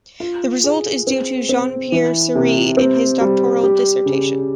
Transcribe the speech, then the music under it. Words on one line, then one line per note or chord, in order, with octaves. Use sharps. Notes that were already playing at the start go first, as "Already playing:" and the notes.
The result is due to Jean-Pierre Serre in his doctoral dissertation.
F4
G#4
C4
C4
E3
C3
C4
G3
G4
C#3